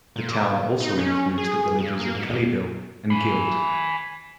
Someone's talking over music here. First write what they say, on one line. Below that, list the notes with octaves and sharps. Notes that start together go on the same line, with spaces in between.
The town also includes the villages of Kelleyville and Guild.
A#2
D#4
C#4
G#4
G2
A#3
G#2
D#2
G#5 B5